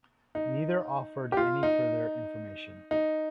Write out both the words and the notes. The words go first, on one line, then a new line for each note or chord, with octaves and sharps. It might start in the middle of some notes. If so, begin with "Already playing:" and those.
Neither offered any further information.
D#4
G4
F4
D#4
D#4